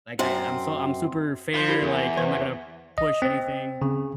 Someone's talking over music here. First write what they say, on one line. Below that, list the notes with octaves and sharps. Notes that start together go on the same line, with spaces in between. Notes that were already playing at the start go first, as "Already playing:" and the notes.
Like, I I I'm so I'm super fair, like, I'm not gonna push anything.
F#2 C4
F4 B4 C5
E4 G4 A#4
E2
E3 C5 C#6
D#5
C4
C#3